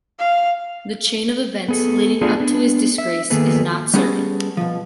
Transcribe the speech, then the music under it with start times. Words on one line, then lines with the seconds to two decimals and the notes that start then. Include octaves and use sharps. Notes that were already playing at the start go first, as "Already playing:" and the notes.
The chain of events leading up to his disgrace is not certain.
0.19 F5
1.68 B3 G#4 A4
2.21 A3 B3 D4 F4 G#4
2.40 B3 D4
2.98 E5
3.30 D#3 A#3 B3 G#4 A4 B4
3.94 G3 B3 C#4 G#4 A4
4.57 B2 F3